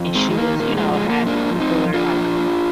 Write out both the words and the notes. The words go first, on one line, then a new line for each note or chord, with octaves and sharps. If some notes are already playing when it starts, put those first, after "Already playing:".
and she was, you know, had fuller like
Already playing: F2
D#3 G#3 C4
G#3
D#3 A#3
A#2 A#3
G#3
F3
G#3
A#2
A#3
G#2 A#3 D4
F3
C4 D#4
F3
F3 D4 F4
A#2